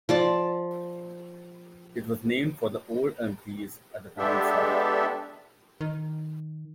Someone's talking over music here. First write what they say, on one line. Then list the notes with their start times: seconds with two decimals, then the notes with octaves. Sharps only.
It was named for the old elm trees at the town site.
0.09 F3 D5 A5
4.18 G#3 B3 D4 G4 A4 E5
5.81 D#3